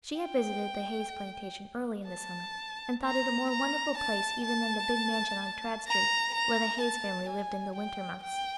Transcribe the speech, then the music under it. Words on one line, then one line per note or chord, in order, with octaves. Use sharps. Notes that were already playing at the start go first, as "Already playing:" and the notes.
She had visited the Hayes plantation early in the summer, and thought it a more wonderful place even than the big mansion on Tradd Street where the Hayes family lived in the winter months.
G5
A5
A#5
A#5
A5
A5
A#5
A#5
A5
G#5
G5
G5